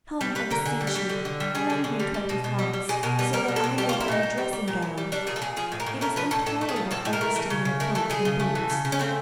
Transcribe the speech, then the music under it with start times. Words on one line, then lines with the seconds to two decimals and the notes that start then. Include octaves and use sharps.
Come, I beseech you, lend me twenty francs, so that I may buy a dressing-gown; it is intolerable always to be in a coat and boots!
0.21 G3 B4
0.35 G3 B4
0.51 D3 A#4
0.66 D3 G#4
0.81 G3
0.87 G4
0.95 G3
1.09 D3
1.25 D3
1.40 G3
1.55 G3 G#4
1.70 D3
1.84 D3
2.00 G3
2.14 G3
2.29 B2
2.44 B2
2.59 G3
2.74 G3
2.89 B2 G#4
3.03 B2 A#4
3.19 G3 B4
3.33 G3 A#4
3.48 B2
3.56 A4
3.64 B2
3.78 G3 G4
3.89 F4
3.93 G3
4.01 E4
4.08 A#2 D#4
4.23 A#2
4.38 G3
4.53 G3
4.68 A#2
4.82 A#2
4.98 G3
5.12 G3 D4
5.27 A#2 G#4
5.36 A4
5.42 A#2 G#4
5.57 F3 G#4
5.72 A2
5.80 A#4
5.87 A2
6.01 A3 A#4
6.16 F3 B4
6.31 A2 A4
6.46 A2 A4
6.61 A3
6.69 G#4
6.76 F3
6.91 A2 A4
7.05 A2
7.13 A#4
7.21 A3
7.36 E3
7.50 C#3
7.65 C#3
7.80 A3 A#4
7.95 E3 A4
8.10 C#3 G#4
8.25 C#3
8.40 A3
8.55 E3
8.70 C#3
8.85 C#3
8.92 C#4
8.99 A3 C4